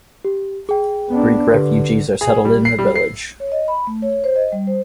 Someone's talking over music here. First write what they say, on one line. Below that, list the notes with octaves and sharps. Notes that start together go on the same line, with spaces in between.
Greek refugees are settled in the village.
G4
G#4 G5
B3 D4
D3 G4 B4
G#4
G3
C7
G3
C7
C#5
D#5
B5
A3
C#5
C5
D#5
G3
C5